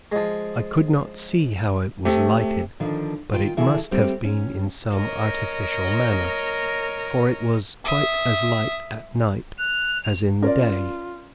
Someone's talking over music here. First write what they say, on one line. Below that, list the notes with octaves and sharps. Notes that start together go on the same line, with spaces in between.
I could not see how it was lighted, but it must have been in some artificial manner, for it was quite as light at night, as in the day.
F3 G#3
C3 A3
D3 D#3 F3
D#3 F4 G5
C#3 E3 E4 G#4 A4
G3 A3 C4 G4
C#4
A#4 C#5 D#5
E5 D#6
F#6 F7
C#4 F4 A#4 D5